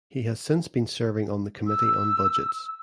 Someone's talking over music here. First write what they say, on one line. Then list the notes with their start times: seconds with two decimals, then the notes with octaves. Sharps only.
He has since been serving on the Committee on Budgets.
1.67 E6